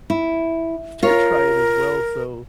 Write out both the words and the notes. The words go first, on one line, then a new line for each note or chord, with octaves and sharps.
to try it as well so,
E4
F4 A#4 C#5